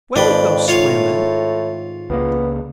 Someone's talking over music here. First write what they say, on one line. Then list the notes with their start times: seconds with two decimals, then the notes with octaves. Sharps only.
"Where we go swimmin'?"
0.16 F2 G#2 D#3 D4 B4 G5
0.68 A2 F4 C#5 F5
2.10 C#2 C#3 A#3 B3